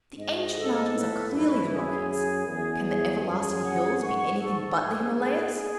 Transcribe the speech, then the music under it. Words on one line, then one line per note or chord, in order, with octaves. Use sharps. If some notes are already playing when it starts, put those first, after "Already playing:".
The ancient mountains are clearly the Rockies; can the everlasting hills be anything but the Himalayas?
G#2 D#5
A4
A2 B4
F#2 E4
F#2 G#4
G#4
E2 G#4
G#4
F#2 G#4
F#5
G#2 C#6
A4
G#2 G#4
G#4
G#4